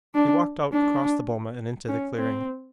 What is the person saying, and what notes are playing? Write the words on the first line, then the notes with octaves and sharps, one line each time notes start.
He walked out across the boma and into the clearing.
D4
D4
C#4
C4